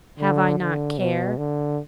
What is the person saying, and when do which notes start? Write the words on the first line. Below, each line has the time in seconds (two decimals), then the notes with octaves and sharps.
Have I not care?
0.19 D3
0.59 D3
0.98 B2
1.37 D3